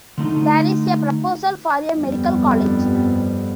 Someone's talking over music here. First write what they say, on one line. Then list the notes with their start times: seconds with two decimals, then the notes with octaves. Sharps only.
There is a proposal for a Medical College.
0.18 D3 A3 D#4 F4
1.91 G1 F2 G3 B3